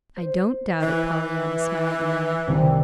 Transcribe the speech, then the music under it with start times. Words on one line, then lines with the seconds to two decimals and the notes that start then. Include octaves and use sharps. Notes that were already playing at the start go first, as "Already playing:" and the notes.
"I don't doubt it, Pollyanna," smiled the man.
0.17 C5
0.81 E3
2.47 C2 C3 D#3